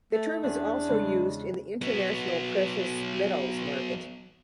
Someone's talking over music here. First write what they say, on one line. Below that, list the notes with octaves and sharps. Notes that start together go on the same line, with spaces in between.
The term is also used in the international precious metals market.
A3
E2 C#4 D4
C#3 G#3 C4
F#3 B3